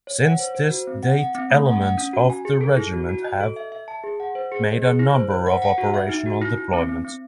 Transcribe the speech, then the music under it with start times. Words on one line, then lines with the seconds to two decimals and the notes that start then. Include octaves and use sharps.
Since this date elements of the regiment have made a number of operational deployments.
0.07 C#5
0.23 F#5
0.39 C5
0.55 C5
0.70 F#4
0.87 C4
1.03 F#5
1.19 F#5
1.35 C4
1.50 A3
1.66 F#5
1.82 F#5
1.98 C#4
2.13 F#4
2.30 G#5
2.45 G#4
2.61 A4
2.77 E4
2.93 F#4
3.09 F#4
3.24 D#5
3.40 A4
3.56 E5
3.72 E5
3.88 A5
4.04 G#4
4.20 F#5
4.35 C5
4.52 G#4
4.67 D#5
4.82 G#4
4.99 E4
5.15 C5
5.31 C5
5.46 F#5
5.62 F#5
5.78 F#4
5.94 E5
6.09 D#4
6.26 F#4
6.41 E4
6.57 E4
6.73 C4
6.89 C4
7.05 C4